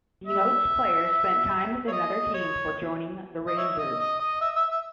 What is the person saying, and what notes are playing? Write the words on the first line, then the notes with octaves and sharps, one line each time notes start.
Denotes player spent time with another team before joining the Rangers.
E5
C#5
D#5
C#5
D#5
C#5 E5
D#5
D#5
D#5
E5
E5
E5